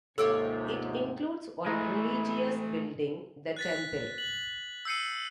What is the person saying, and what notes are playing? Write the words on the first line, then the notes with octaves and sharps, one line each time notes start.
It includes one religious building, the Temple.
D#2 G#2 C3 F4 G4 A4 C#5 E6
E3 G#3 A3 E4 A#5
F#6 A6 B6
F#7
E6 G6 C7 C#7 D#7